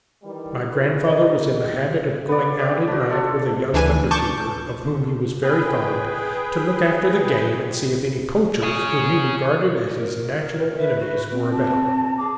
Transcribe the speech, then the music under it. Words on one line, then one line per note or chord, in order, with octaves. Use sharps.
My grandfather was in the habit of going out at night with a young under-keeper, of whom he was very fond, to look after the game and see if any poachers, whom he regarded as his natural enemies, were about.
D#3 E3 G3
C#3 E4 F4 B4
G3 A#4 D#5
B3 D5
G4
D4 F#4
F4 A4
D2 E3 D4 B4 G#5
A5 C#6 D6 G6
G#4 B4 G5
G#4 C#5
A#4
B4 E5
F#4
C4
A5
G#4 D6